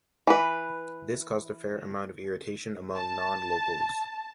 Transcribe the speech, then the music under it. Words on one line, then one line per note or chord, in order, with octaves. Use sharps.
This caused a fair amount of irritation among non-locals.
E3 B4
A5